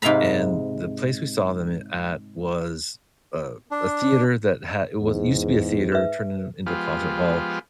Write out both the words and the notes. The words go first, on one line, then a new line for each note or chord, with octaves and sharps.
and the place we saw them in at was a a theater that ha it was used to be a theater turned in into a concert hall,
G#2 C3 F5 A#5 B5
D4
E2 G#2
B4 E5
F3 G#3 B3 F4 G4